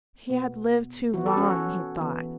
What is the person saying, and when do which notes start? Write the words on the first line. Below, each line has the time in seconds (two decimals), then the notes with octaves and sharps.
He had lived too long, he thought.
0.30 B2 B3
1.14 E3 B3 F#4
1.26 A4
1.37 C#4 F#4
1.97 E3 B3